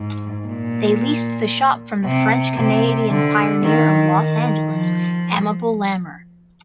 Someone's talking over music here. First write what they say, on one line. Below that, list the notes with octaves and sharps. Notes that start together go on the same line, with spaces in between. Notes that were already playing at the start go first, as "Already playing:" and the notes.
They leased the shop from the French Canadian pioneer of Los Angeles, Amable Lamer.
Already playing: G#2
A#2
C3
C3
D3
D#3
D#3
F3